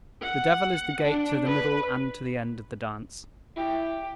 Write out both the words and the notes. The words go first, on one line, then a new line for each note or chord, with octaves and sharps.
The devil is the gate to the middle and to the end of the dance.
F#5
D4
B4
E4 G4